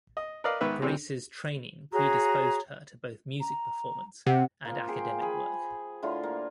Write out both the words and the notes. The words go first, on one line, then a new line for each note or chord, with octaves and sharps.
Grace's training predisposed her to both music performance and academic work.
D#5
A#4 B4 D5 D#5 F5
G#2 D#3 B3 B4 E5
C3 E3 G3 C4
F#4 G#4 C#5 A#5
A#5
C3 F#5
F3 A#3
G#4 G5 C6
G#4 B5
A2 D3 F4
A#3